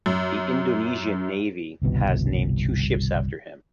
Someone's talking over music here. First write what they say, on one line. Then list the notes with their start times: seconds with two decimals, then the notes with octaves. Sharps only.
The Indonesian Navy has named two ships after him.
0.06 F#2
1.82 G1 C2 B2 D#3